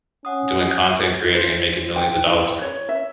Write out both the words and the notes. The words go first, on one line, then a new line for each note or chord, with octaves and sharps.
doing content creating and making millions of dollars;
C#4 F#5 D#6
C5
G5
E4
C#5
E5